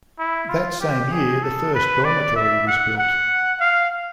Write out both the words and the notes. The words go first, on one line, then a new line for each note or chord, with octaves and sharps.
That same year the first dormitory was built.
E4
F4
G4
G#4
A4
B4
D5
E5
F#5
F#5
F5